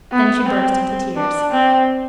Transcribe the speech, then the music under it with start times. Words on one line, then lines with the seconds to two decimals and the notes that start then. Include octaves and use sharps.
Then she burst into tears.
0.12 B3
0.46 C4
1.16 D4
1.51 C4